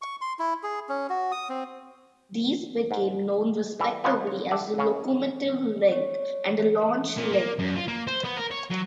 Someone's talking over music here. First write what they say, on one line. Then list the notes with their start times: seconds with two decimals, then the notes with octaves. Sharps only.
These became known respectively as the 'locomotive link' and the 'launch link'.
0.02 C#6
0.21 C6
0.39 E4
0.63 G#4
0.89 C#4
1.09 F#4
1.32 D#6
1.49 C4
2.91 G#2
3.80 E3 G3 A4
4.04 C#3 F3 G#3 A#3 B3
4.27 C#5
4.51 G4 A4 D5 E5 F#5
4.78 C#3 C#4
5.92 C#5
7.17 A#2
7.32 A#3
7.59 F#2
7.76 F4
7.88 A#3
8.07 C5
8.24 B3
8.37 A#4
8.51 C#5
8.71 F#3